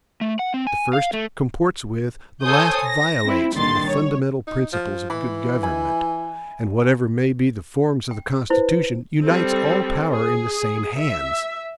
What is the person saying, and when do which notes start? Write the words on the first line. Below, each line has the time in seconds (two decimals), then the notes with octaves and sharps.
The first comports with, the last violates, the fundamental principles of good government; and, whatever may be the forms of the Constitution, unites all power in the same hands.
0.21 A3
0.39 F#5
0.54 C4
0.67 G#5
0.93 F5
1.13 A3
2.42 A4 C5 C#5 G#5 D#6 G6
2.85 A#6
3.23 C4 E4
3.55 C2 A#2 D3 D#3 C6 A6
3.87 C#5
4.47 D#4
4.73 F3
5.10 E3 B5
5.63 E5 G#5 B5
8.11 G5
8.50 E4 B4 C5
9.23 G3 C4 A4
10.11 G#4
10.99 E5